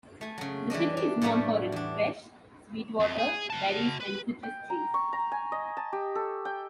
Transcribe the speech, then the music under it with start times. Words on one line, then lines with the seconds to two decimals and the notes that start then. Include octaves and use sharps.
The city is known for its fresh, sweet water, berries and citrus trees.
0.21 A3 G#5
0.38 C#3 F#3
0.70 E3 G3 D4 D#5
0.97 D4
1.22 A2 F3 G3 A3 B3 F#4
1.72 E2 D4
3.00 F2
3.18 G#4
3.50 F#4 A5
4.00 B4
4.43 G5
4.70 A#5
4.94 C#6
5.13 A#5
5.32 G#5
5.52 D#5
5.77 A5
5.93 G4
6.15 A4
6.45 G5